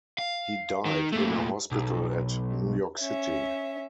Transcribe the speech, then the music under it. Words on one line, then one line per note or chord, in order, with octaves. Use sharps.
He died in a hospital at New York City.
F5
D#3
A#2 A3
B1
C#4 E5